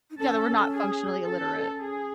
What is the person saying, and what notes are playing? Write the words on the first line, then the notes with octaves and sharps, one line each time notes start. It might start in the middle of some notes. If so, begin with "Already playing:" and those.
Yeah, that we're not functionally illiterate.
D#4
C#4 A4
G#4
C#4 A4
G#4